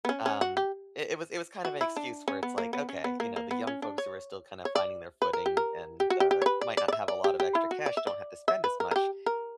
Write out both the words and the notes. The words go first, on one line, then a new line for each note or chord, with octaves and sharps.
um, it it was it was kind of an excuse where it's, like, okay, you know, the young folks who are still kind of finding their footing and, uh, might not have a lot of extra cash, don't have to spend as much.
B3
C#4
C#4
F#4
G4
F#4
E4
D4
C#4
B3
A#3
B3
C#4
B3
A#3
A#3
B3
C#4
D4
C#5
C#5
D5
B4
A#4
G4
A#4
G4
F#4
G4
G4
C#5
B4
D5
D5
D5
E5
D5
G4
G4
E4
F#4
D5
E5
D5
E5
B4
A#4
A#4
G4
A#4